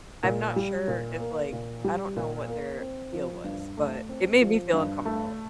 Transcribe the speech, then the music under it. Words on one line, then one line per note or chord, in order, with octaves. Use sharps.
I'm not sure if, like I don't know what their deal was, but it made me feel uncomfortable
A#2
G3
A#2
A#3
A#2
G3
A#2
A#3
C4
F3
G2
A3
C4
F3
G2
A3